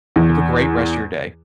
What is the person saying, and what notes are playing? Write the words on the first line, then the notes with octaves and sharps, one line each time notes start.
Have a great rest of your day.
E2